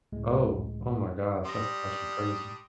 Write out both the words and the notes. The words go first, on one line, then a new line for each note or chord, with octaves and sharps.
Oh, oh my gosh, that's actually crazy.
C#2 A2 G#3
G3 D4 C6 D#6 A#6